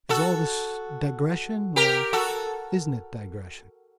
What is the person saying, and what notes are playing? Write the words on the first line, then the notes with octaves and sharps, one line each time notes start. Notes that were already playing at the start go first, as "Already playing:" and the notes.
Is all this digression or isn't it digression?
F#4 A4
G4 A#4
F#4 A4